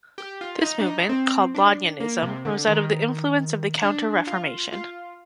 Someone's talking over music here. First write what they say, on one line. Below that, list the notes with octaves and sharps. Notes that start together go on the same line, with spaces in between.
This movement, called Laudianism, rose out of the influence of the Counter-Reformation.
G4
F4
D#4
D4
D#4
C4
D4
A#3
C3
D3
D#3
D4
F4
F4